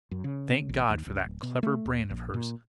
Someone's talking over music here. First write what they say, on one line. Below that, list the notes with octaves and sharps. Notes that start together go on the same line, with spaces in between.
Thank God for that clever brain of hers!
F#2
C#3
A1
D#2
C#2
D1
B2
A3
D#2
A#1
A#2